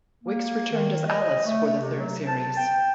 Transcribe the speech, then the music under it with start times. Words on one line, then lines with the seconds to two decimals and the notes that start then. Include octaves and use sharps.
Wix returned as Alice for the third series.
0.24 A#3
0.72 D#3
1.08 D#5
1.46 A3
1.66 A3
1.81 C3
1.98 F#3
2.26 A5
2.57 G5